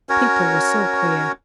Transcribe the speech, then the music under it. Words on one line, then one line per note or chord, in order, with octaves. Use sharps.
People were so queer.
C#4 F#4 A#4 C#5